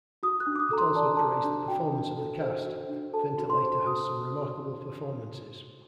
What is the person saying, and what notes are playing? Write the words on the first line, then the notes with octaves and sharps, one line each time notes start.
It also praised the performance of the cast: Ventilator has some remarkable performances.
F#4 D#6
F#6
D4
D6
D#6
A4 A#5
C6
D5 A5
A#5
F#4 A5
D4
F#4 G5
D4
A4
C5
F#4
D4
A4 A5
F#4
C6
C5
F#4 D#6